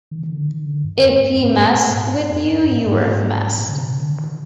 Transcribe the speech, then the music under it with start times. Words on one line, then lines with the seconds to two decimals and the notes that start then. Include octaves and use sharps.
If he messed with you, you were messed.
0.11 D#3
0.22 D#3
0.29 D3
0.48 D#3
0.66 D3
0.84 G2
1.02 F2
1.21 G2
1.40 G#2
1.52 G#2
1.64 A#2
1.79 G2
1.88 G#2
2.12 G2
2.31 F2
2.49 G2
2.67 G#2
2.76 A#2
2.86 G#2
3.58 A#2
3.69 D3
3.76 C3
3.95 D3
4.13 D#3